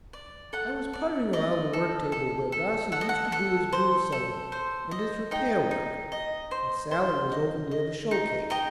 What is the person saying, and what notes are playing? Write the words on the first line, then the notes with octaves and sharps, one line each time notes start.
I was puttering around the work table where Darcy used to do his jewel setting and his repair work, and Sallie was over near the showcase.
D5
A4 F#5
D5
D5 D#5
A4
A4
A4
A4 F#5
D#5
F#5
A4
C5
A4
C5
D#5
D#4 D#5 G5
D#4
D#5
C5
C5
D#5
D#5
D#4
D#5 G5 A#5